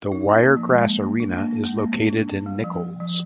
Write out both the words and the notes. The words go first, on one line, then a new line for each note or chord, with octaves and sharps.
The Wiregrass Arena is located in Nicholls.
D#4
C4
A#3
F3
G#3
A#3
A#3
D4
A#3
A#3
G#3
A#3
C4
D4
C4
G3
F3
F3